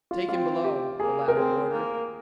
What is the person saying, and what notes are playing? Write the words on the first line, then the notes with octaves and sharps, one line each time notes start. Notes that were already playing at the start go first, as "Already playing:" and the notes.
"Take him below!" the latter ordered.
F4
C4 F4
G4
A#3 G#4
A#4
C4 G#4
A#3